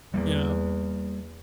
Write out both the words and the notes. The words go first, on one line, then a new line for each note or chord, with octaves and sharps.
You know?
E2 G3 A#3